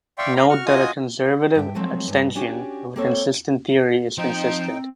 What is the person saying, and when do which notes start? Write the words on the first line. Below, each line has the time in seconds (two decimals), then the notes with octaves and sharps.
Note that a conservative extension of a consistent theory is consistent.
0.18 D5 E5 F5 G5 C6 C#6
0.35 F5 A#5 B5
0.50 F#4 C#6 F6
0.66 F4 F#4 D#5 G#5 D#6
1.55 G2 E5 G5
1.75 F3 F#3 G#3 A3 C4
2.08 E2 G2
2.35 C#4 D4 F#4 G4
2.96 A#3 C4 A4 C5 C#5
4.18 F3 C4 D#4 G5